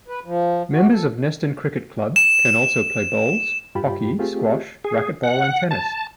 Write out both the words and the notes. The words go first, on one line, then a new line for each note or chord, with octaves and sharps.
Members of Neston Cricket Club can also play bowls, hockey, squash, racketball and tennis.
B4
F3
F#4
A4
E7
G2 F4 G4 G5 B5
A3 C4 F4 G4 G#4
G#4
F#5
A5